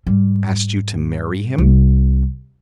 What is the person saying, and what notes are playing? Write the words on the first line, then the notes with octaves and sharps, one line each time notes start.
"Asked you to marry him?"
G#2 G3
C2